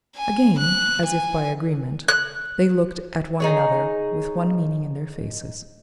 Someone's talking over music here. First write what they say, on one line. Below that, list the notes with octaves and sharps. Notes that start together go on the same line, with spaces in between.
Again, as if by agreement, they looked at one another with one meaning in their faces.
G#5
F#6
G#5
F#6
D#4 G#4 C#5